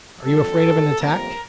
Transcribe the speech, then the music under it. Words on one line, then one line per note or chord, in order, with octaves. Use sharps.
Are you afraid of an attack?
G1 F2 D3 G3 A4
G1 G2 D3
G1 F2 C3 G3 A#3 A#4